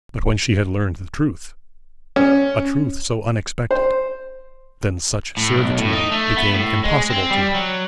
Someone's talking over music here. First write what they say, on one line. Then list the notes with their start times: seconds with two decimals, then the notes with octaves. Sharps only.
But when she had learned the truth,--a truth so unexpected,--then such servitude became impossible to her.
2.16 C#4
3.71 C5
5.37 A2
5.56 B1
5.78 A2
5.93 D#4
6.12 A3
6.37 B3
6.54 A2
6.84 G#3
7.10 C4
7.31 G3
7.55 F#3